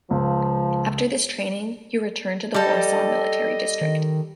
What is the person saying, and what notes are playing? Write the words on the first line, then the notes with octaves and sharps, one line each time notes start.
After this training, he returned to the Warsaw Military District.
C#2 F3
G3 G4 A4 D#5
D#3